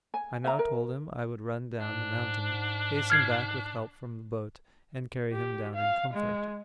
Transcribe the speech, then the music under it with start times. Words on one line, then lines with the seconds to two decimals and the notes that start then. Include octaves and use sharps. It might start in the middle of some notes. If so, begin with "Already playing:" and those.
I now told him I would run down the mountain, hasten back with help from the boat, and carry him down in comfort.
0.14 G#5
0.44 E5 A#5
0.59 A#4
1.80 G#2 D4
3.10 F6 G#6 C7
5.32 G4
5.75 F5
6.13 G#3